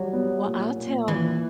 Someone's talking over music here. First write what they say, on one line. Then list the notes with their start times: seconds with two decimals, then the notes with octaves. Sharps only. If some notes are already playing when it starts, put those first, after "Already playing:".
Well, I'll tell ya.
Already playing: F#3 G3
0.13 B3
0.45 A#2
0.76 A#2
1.08 A#2 E3